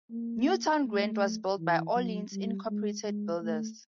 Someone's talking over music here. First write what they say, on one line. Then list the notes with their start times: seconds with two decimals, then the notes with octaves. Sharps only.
Newtown Grant was built by Orleans, Incorporated builders.
0.11 A#3
0.85 A3
1.59 E3
1.95 F#3
2.33 G3
2.69 G#3
3.05 G#3
3.42 A3